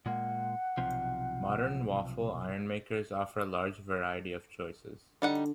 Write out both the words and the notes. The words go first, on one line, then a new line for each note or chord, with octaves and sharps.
Modern waffle iron makers offer a large variety of choices.
A#2 G#3 A#3 F#5
B1 C3 F3
D3 G3 D#4 F#5